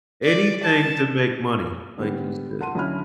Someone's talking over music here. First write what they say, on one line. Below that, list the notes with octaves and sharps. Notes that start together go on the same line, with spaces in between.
Anything to make money, like you said.
D5
A5
D3 G3 B3
F#5 A5 C6 D#7
B1 D3 C#4 E4 B5 F6